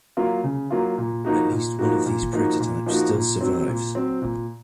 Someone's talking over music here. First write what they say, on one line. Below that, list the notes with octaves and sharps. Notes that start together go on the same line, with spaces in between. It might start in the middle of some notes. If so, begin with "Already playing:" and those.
At least one of these prototypes still survives.
F#3 A#3 F4
C#3
F#3 A#3 F4
A#2
F3 A#3 D#4 F#4
A#2
F3 A#3 D#4 F#4
A#2
F3 A#3 D#4 F#4
A#2
F3 A#3 D#4 F#4
A#2
F#3 C4
A#2
F#3 C4
A#2